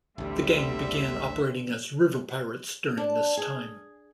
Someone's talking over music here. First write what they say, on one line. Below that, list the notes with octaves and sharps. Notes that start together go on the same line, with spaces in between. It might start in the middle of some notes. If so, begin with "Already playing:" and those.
The gang began operating as river pirates during this time.
A1 D2 D3 G3 C4 E5
D4
G#4